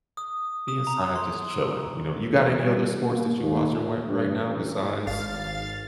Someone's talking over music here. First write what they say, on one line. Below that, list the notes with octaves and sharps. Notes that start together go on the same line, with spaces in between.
Be inside just chilling, you know? You got any other sports that you're watching white right now besides
D#6
D#6
A#5
C6
E6
E2
G3
A#3
D#2
A#2
G2
A1
G#1 F5 A6